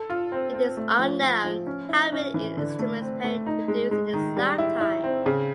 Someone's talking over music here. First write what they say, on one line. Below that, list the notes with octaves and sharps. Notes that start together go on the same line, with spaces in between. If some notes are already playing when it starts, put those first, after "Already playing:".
It is unknown how many instruments Perry produced in his lifetime.
Already playing: A4
F4
C4
C4
A3
F3
F3
F3
C#4
E4
C#4
E3
D3
A3
C4
A3
D#4
G#3
G#3
D#3
G3
E4
E4
C4
C#3